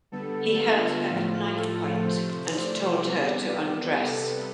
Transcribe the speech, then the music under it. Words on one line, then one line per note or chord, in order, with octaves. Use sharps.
He held her at knifepoint and told her to undress.
D3 G3 B3 A4
F4
A2 F3 A3 F4
A4
C3 F3 A3 C5
D5
C3 G3 B3
C3 G3 B3 A4